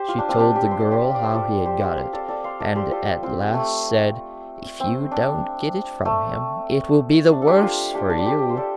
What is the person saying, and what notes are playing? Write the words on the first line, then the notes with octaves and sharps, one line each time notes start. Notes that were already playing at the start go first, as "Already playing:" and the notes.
She told the girl how he had got it, and at last said: 'If you don't get it from him, it will be the worse for you.'
Already playing: G4 C5
F4
D4
C4 F4
D4 G4
D4 G4
C5
D5
G4 C5
D5
C5
F4 A4
G4 C5
C5 F5
C5 F5
A4 D5
A4 D5
C5 F5
A4 D5
G4 C5
F4 A4
C4 F4
A3
C4
D4
A3
D4
A4
D4 G4
C5
F4 A4
D4 G4
D4 G4
D5
G4 C5
C5
A4 D5